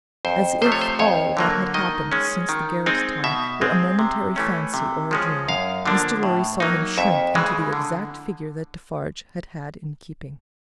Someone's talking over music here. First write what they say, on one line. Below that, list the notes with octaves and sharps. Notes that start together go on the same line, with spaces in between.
As if all that had happened since the garret time were a momentary fancy, or a dream, Mr. Lorry saw him shrink into the exact figure that Defarge had had in keeping.
F2 C5
C3 F3 A3 C5
C#5
C5
F2 C#5
D3 F#3 A#3
D#3 D#5
G#3 C#4
D#3
G#3 C4 D#4
B2 E5
G#3 C4
C3
E3 A3 C#4
C3
F3 G#3 C#4
F#2 F5
D3 F3 A#3 D4
A2
F#3 A#3 D#4
F2 E5
C#3 E3 G#3
D3